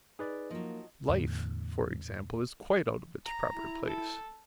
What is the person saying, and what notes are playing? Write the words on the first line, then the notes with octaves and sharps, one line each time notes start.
'Life,' for example is quite out of its proper place.
D#4 G#4 B4 D5
F3 F#3 A#3 D#5
E2 A2 D3
A#5
E4
A4